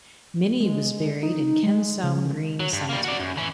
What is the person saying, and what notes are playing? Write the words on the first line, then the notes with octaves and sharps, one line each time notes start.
Minny was buried in Kensal Green Cemetery.
G#3
D#4
G#3
C#3
F#3
G2
G3 A#3
F#4 D5
F#2
E3 C#4